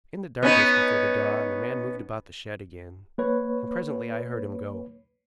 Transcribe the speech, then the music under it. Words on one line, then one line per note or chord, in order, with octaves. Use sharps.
In the darkness before the dawn the man moved about the shed again, and presently I heard him go.
B3 C#4 D#4
A#3 B4 C#5